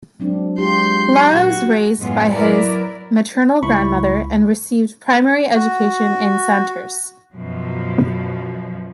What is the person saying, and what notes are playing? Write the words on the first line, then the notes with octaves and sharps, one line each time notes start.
Lara was raised by his maternal grandmother and received primary education in Santurce.
F#3 G#3 C4 D4
G#3 F4 G4 C6 G6
A#2 F#4
F#2 A2 G#3 B3 C#4 F4
F#3 E4 A#4 B4 D5
C#2 E4 B5 C#6
F#4
F#2 B2 F3